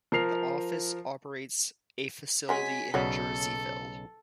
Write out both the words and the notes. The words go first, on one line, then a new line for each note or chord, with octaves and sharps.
The office operates a facility in Jerseyville.
F3 A#4 C7 F7
F#3 G#3 C#4 G#5 B6
B1 C#3 F#4 A4 C#5 D5